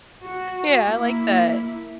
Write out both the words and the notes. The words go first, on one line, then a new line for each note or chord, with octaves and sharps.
Yeah, I like that.
F#4
A#3 E4